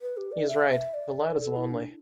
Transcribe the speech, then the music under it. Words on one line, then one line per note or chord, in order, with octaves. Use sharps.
She's right; the lad is lonely.
B4
G4
D5
E5
E5
D5
A4
E4
D4